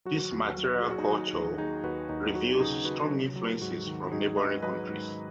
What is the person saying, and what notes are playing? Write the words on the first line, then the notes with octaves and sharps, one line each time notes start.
This material culture reveals strong influences from neighbouring countries.
F#3 F#4
D#2
F#3
F#3 G#4
F#4
D#4
F#3 F#4
D#2
D#2 D#4 G#4
D#2 F#4 B4
D#2 D#4
F#3 F#4
C#3 D#4 G#4
C#3 F#4 B4
F#3
F#3
G#2 F#4
D#3
G#2 D#4 G#4
G#2 B4 D#5
F#3 B4 D#5
G#2